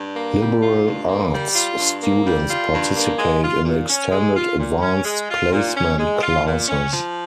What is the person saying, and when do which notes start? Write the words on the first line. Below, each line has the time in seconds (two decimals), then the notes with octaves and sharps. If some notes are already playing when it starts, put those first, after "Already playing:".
Liberal Arts students participate in extended Advanced Placement classes.
Already playing: G2
0.15 A#3
0.39 G3
0.62 F4
0.86 G2
1.08 A#3
1.32 G3
1.55 F4
1.79 G2
2.02 A#3
2.26 G3
2.49 F4
2.72 G2
2.95 A#3
3.18 G#3
3.42 F4
3.65 A#2
3.88 C#4
4.11 G#3
4.35 F4
4.58 A#2
4.81 C#4
5.05 G#3
5.28 F4
5.51 A#2
5.75 C#4
5.97 G#3
6.21 F4
6.44 A#2
6.67 C#4
6.91 F3